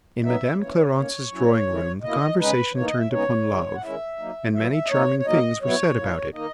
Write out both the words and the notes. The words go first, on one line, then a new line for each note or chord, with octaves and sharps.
In Madame Clarence's drawing-room the conversation turned upon love, and many charming things were said about it.
F#3 B3 D#4 E5
E3 A#3 C#4 E4 C#5
D#3 A#3 C#4 C#5
F#3 C#4 E4
D#3 G#3 C#4 E4
B2 A#3 E4 D#5
C#3 G#3 D#4 B4
E3 A#3 D#4 C#5
D#5
E5
C#3 G#3 B3 D#4 C#5
C#3 G#3 D#4
F#5
D#3 G#3 C#4 E4 E5
F#3 A#3 D#4
F#3 B3 E4 E5
E5
D#5
A#2 A#3 D#4 C#5
C#5
B2 F#3 A#3 D#4 D#5
B2 F#3 B3 E4 C#5
A#2 F#3 A#3 E4
D#3 A#3 D#4 D#5